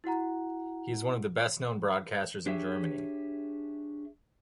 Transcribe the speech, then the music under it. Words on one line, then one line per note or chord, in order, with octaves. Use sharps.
He is one of the best known broadcasters in Germany.
E4 F#4 F#5 A#5
D4 G4 G#4 C#5 E5